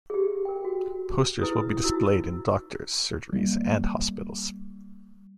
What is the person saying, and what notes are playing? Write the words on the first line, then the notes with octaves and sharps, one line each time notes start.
Posters will be displayed in doctors' surgeries and hospitals.
G4 G#4
A#4 G5
F#4
E4 G#4 B4 D#6
C#4 D#4 E4 F#4 E6
G3 A#3